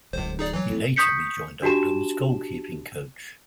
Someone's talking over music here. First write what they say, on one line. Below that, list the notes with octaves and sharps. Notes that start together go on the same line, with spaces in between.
He later rejoined Oldham as goalkeeping coach.
D1 C#2 C5
D#4 G#4 D5
E3 F#3
A2
C#6 D#6 G6 B6 C#7
D4 F#4 G4 A5 E7